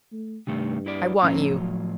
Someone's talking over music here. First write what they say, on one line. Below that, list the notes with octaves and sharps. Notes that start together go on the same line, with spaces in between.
I want you.
A3
G2 C3 D#3 A3
E4 B4 D5
A2 F3 C#4 A#5
F#3